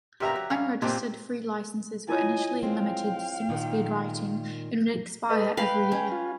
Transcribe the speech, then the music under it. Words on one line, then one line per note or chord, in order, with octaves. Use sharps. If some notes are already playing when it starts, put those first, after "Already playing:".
Unregistered free licenses were initially limited to single-speed writing and would expire every year.
A#2 A#3 B3 G4 E5 A#5
F#3
G3 C#4 F5
A#2 G#3 C4 G4 A5
E4 F4 C#5 D#5 G#5
G#3 C4 F5 G5
A#2 D#3
A4 B4 D#5
B4 F5 G5
C#4
F4